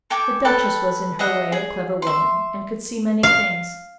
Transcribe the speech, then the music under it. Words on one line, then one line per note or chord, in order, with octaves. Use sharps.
The Duchess was in her way a clever woman and could see many things.
A4 G5 G#5 D6
A4 B4 G5 A5
G#4 D#5 E5 F#5
G#4
E5 C6
F5